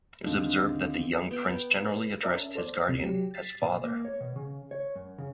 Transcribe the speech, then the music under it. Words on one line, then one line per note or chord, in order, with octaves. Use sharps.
It was observed that the young prince generally addressed his guardian as "Father".
D#2 D3 F3 C4 D4 D#4
B3 G5
A#4 D5 E5 A5 A#5
C#4
A4 C5 D5
D2 C3
F#3 G4
A6 B6 C7
A#2
A#3
C#5
B2
C#3
C#5
F#2
C#3